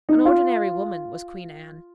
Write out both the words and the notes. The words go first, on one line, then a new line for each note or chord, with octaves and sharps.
An ordinary woman was Queen Anne.
D#4
F4